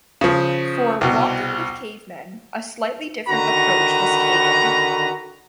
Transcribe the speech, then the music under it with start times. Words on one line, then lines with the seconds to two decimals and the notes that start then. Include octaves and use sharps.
For "Walking with Cavemen", a slightly different approach was taken.
0.21 C#3 F3
1.01 C2 B2
3.28 D3 D#3 F#4 B4 A#5